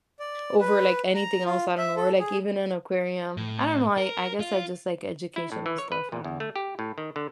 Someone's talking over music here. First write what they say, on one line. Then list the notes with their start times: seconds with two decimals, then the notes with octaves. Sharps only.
over like anything else, I don't know. Or like even an aquarium, I don't know, I I guess I just like educational stuff, I don't know.
0.19 D5
0.60 B4
1.15 A#5
1.45 F4
1.78 E5
1.96 A4
2.19 G#4
3.37 A2
3.98 A#4
4.40 F4
5.36 E4
5.52 A2
5.66 E3
5.78 C#5
5.92 B4
6.12 A#2
6.24 E2
6.40 A3
6.56 G4
6.79 A2
6.98 D#3
7.16 D3